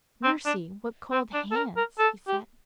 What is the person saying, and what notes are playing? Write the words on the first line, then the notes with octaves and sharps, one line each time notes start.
"Mercy! what cold hands!" he said.
C4
D4
C4
D4
A4
A#4
A#4
A4
G4